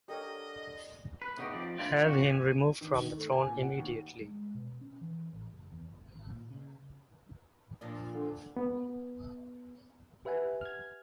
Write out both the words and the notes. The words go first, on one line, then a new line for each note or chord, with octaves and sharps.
Have him removed from the throne immediately.
D3 G4 A#4 C#5 D#5
B4
A2 C#3 B3 D#4 F#4 G4
F2 F3 D5
A#3 D4 E4 F4 G5
F2 F#4 G4
G#5
D#3
D#3
A3
G#5
A#2
F#5
D#2
G#3
B2
C#4
E3
A1
F#1
E2
G1
G#1
A#2
C#3
A#2 F3 D4
D3
B3
G4 B4 E5 F#5 G#5
F6 G#6